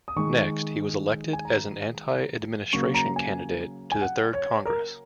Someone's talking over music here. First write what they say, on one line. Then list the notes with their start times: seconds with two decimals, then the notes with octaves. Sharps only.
Next, he was elected as an Anti-Administration candidate to the Third Congress.
0.08 D#6
0.16 D#3 G#3 C#6
1.33 G#5
1.45 A#5
2.73 C#3 F#3 A#3 C#6
2.94 A#5
3.16 G#5
3.92 G#5
4.02 F#5
4.33 C#5
4.65 A#4